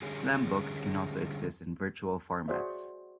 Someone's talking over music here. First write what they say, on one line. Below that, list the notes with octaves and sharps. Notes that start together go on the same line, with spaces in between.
Slam books can also exist in virtual formats.
D3 G3 C#4 G4 G#4
F#4 G#4 C5 D5 E5